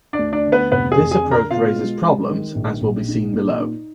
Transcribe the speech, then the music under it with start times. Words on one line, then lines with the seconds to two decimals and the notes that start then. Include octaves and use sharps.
This approach raises problems as will be seen below.
0.13 D4 D5
0.19 D2
0.33 D4 D5
0.46 D3
0.52 B3 B4
0.72 F1 B3 B4
0.92 G#4 G#5
0.98 F2
1.11 G#4 G#5
1.25 D3
1.31 A#4 A#5
1.51 B2 F4 F5
1.76 G#3
2.03 G#3
2.29 D#3
2.55 A#1
2.81 A#1
3.08 D#4
3.33 A#2
3.60 D#4